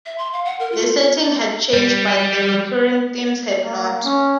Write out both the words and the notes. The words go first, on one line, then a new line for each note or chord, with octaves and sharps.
The setting had changed but the recurring themes had not.
E5
C6
F5
F#5
A#4
F4
G3
A#3
C#4